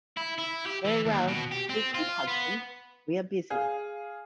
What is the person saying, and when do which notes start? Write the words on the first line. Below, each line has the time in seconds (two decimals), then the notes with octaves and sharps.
Very well — be quick, Hudson; we are busy.
0.17 E4
0.39 E4
0.66 G4
0.85 E3
1.06 D#2
1.28 B2
1.52 G4
1.70 C4
1.94 F4
2.28 B3
3.50 G#4 F5